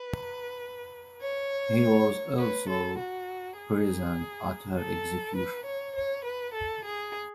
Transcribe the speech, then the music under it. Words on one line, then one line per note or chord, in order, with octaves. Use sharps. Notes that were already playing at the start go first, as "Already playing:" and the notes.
He was also present at her execution.
Already playing: B4
C#5
B4
A4
F#4
G#4
A4
B4
C#5
C#5
B4
A4
G#4